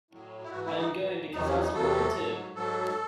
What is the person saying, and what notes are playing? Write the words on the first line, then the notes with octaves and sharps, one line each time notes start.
I am going because I was ordered to!
A2 F#3
E4
G#2 E3 F#4
E4
D#4
G#2 E3
E2 C3 F#3 D#4
C#4
D#4
E2 C3 F#3 A4
G#2 F#3
G#2 F#3 A4